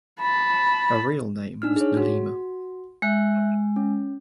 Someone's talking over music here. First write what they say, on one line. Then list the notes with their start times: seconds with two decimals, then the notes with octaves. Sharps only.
Her real name was Nilima.
0.20 A5 B5
1.62 D4 D#4 F6
1.76 G#4 C#5
1.97 F#4
3.02 G#3 E5 F#6 G6
3.76 C#4